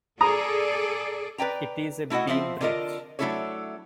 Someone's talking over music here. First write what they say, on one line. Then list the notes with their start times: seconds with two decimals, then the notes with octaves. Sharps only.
It is a beam bridge.
0.21 G#4 A4 D5 A#5 D#6
1.38 B4 D5 G5 A#5
2.10 A3 E4 F#4 D#5 F#5
2.27 F3 C4 C5 E5
2.61 D3 D4 F4 A#4 D#5
3.19 F#3 A3 D4 E4 A4 C#5